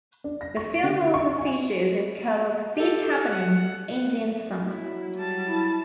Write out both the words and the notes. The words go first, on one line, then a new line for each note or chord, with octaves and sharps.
The film also features his cover of Beat Happening's "Indian Summer".
D4
A#6
C#6
D3
C#6
G#5
G4 A4
F#5
F#3 E4
G3 A5
E4